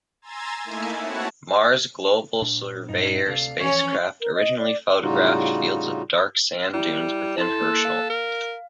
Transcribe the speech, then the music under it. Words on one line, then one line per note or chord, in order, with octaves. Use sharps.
Mars Global Surveyor spacecraft originally photographed fields of dark sand dunes within Herschel.
G#5 A#5 C6 E6 G#6 A6
A3 A#3 D#4 E4 E5 G#5
C4 E4 F#4 C#5 F#5 A5
A#2 D4
G2 D#4
D2 C3 A4 D5 F5
E3 F3 C#4 C#5
A#4
D#5
D5
A2 C#3 G3 D#4 F4 F#4
G3 E4
E4 A4 C6
A#3 E6 F#6
F5
A#4